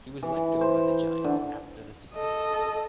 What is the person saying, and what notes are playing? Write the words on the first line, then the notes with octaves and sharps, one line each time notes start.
He was let go by the Giants after the season.
E3
C5
D3
A4 D#5